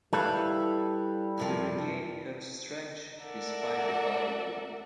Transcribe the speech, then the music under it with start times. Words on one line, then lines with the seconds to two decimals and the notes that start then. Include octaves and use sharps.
She regained her strength despite the bad wound.
0.13 G3 E4 A4 B4 C#5 F5
1.38 F#2 C3 F3
3.22 A4 A#4 D5 E5 F#5